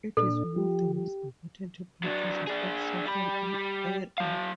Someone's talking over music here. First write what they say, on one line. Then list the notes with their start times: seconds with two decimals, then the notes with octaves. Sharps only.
It is one of the most important producers of saffron in Iran.
0.17 A#2 D4 A4
0.56 F3 G4
0.95 G4
2.03 F#3 D4
2.47 D4 G#4
3.06 G3 B5
4.18 F#3 F5